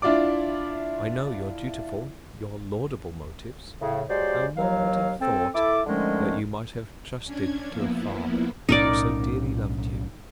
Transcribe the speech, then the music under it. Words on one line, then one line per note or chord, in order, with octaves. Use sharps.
I know your dutiful, your laudable motives; and one would have thought, that you might have trusted to a father who so dearly loved you.
D4 E4 F4 D5 D6
A2 C#3
F#3 G#3 G4 C5 D5
D#2 F#3 F5
C4 A4
E4 A4 D6
D3 D#3 F3 G#3 A3 C#4
C#4 D4 G#6
F3 A#3 B3 E4
B1 A2 C#4 D#4 A#4 D5